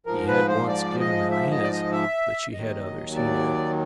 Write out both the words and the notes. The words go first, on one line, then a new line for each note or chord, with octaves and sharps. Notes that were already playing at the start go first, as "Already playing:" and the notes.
He had once given her his; but she had others, he knew.
G#2 F3 A#4
B4
C5
D5
D#5
E5
D#5
D5
D#5
E5
D#2 D#3 F#3 D#5
D5